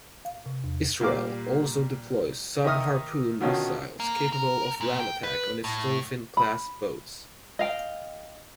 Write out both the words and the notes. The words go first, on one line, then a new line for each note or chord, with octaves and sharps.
Israel also deploys sub-Harpoon missiles capable of land attack on its Dolphin class boats.
F5
C3
E2
A#2 G3 F5 D6
D#3 D#4 E5 D#6 F6
B2 D3 D#3 C#4 F4
A#3
A#4
A#2
G5
B4
A2
B5
D#5 F5 G5